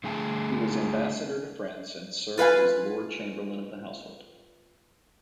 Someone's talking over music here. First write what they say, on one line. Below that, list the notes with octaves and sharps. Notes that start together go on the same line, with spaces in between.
He was Ambassador to France and served as Lord Chamberlain of the Household.
D3 A3 G#4 G5 A5
F4 B4 F5 G#5